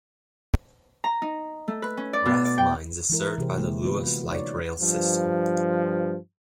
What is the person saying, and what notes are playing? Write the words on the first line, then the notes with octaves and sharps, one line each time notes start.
Rathmines is served by the Luas light rail system.
A#5
D#4
A3
B4
C#4
D5
B2
D5
G5
E3 G#3 E4 A#4
C3 E3 G4 G#4 C5
D3 G#3 A#3 E4
B3 F4 B4
F#4
D#4 C#5 D5
G2 F3